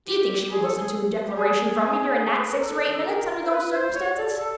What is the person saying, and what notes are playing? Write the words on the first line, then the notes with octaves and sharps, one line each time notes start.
Do you think she would listen to a declaration from me during that six or eight minutes under those circumstances?
G4
G#4
A4
G#4
G4
G#4
B4
A#4
A4
A4
A#4
C5
B4
C5
C#5
D5
A4